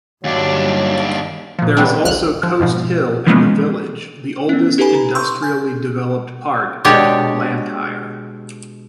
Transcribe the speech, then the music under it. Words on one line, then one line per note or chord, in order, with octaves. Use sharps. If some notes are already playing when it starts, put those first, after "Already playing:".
There is also Coatshill and the village, the oldest industrially developed part of Blantyre.
G1 D#2 F#3 G3 D4
A#2 F3
C#3 E3 G3 B3 C4 D4
A1 D2 F6 F#6
F3
F2 G#2 B2 F3
E3 F3 G#3 A#3 B3 C#4
B3 C#4
D#4 G4 A4 B4 G#5 B5
A#5
C6 C#6 E6 G6
G#5 G6
B2 G#3 D4 G4 C#5